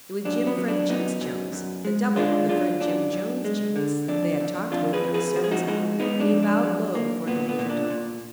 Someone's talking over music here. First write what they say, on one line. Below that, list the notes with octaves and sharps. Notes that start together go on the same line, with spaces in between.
It was Jimfred Jinksjones, the double of the Fredjim Jonesjinks they had talked with in the servants' hall, and he bowed low before the Majordomo.
F#2 D4
B3
F#3
D4
F#2 B3 D#4
F#2
F#2
G#3
G#3 D4 F4
F#2 D4 F4
F#2 D4
F#2
G#3
D3
F2 D4
F2
F2 D4 F4
G#4 B4
F2
G#4 B4
F3 F#4
G#4
D#4 F#4
G#3 D#4 F#4
G#3 B3 D#4
D4
F2
D4
F#3
A#3
A#2 B3
B3
A#2
D4
A#2